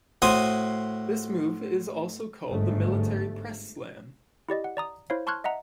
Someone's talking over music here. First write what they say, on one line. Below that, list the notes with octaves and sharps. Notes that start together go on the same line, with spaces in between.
This move is also called the military press slam.
A2 F#4 C5 G#5 C6 D#6
G1 G#2 A3
E4 G4 D5 D#5
F#5
D5 A#5 D#6
E4 C5 C#5 F5
A5 C6 C#6 F6 F#6 G#6
D#5 E5 F#5 A#5